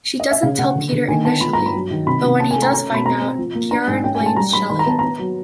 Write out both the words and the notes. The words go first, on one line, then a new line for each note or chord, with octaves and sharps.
She doesn't tell Peter initially but when he does finds out, Ciaran blames Shelley.
D#5
E5
C#3 F5
C#3 F#5
D3
D3
D#3 G#5
B3 A5
F3 B5
G2 A#5
B5
F#3
D#3
C3 B5
C3
C#4 A5
G#5
A3
A#5
C#4 A#5
B2
B5
C4 A#5
C4
F3
A#3
D4 A#5
G#2 G#5
C#4 G5
G#5
G#3
A5
G3 A#5
G3 B5
D#3 B5
A#5
B3 A5
B3 A#5
F#3